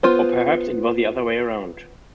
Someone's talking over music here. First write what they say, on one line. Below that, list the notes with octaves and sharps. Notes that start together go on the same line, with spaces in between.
Or perhaps it was the other way around.
B3 F4 C5